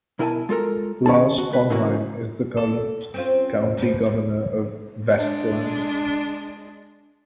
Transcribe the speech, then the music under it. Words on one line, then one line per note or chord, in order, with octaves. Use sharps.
Lars Sponheim is the current County Governor of Vestland.
B2 E4 A#4 D#5 G#5 A5
G#3 F4 A4 A#4
D#3 C#4 G#4 A5
F#4
C#2 B4
A#2 C#3 E3 A#3 C#4 F#4
A4
C4 C#4 F4
G#2 F3 B3
E2
G#3 D4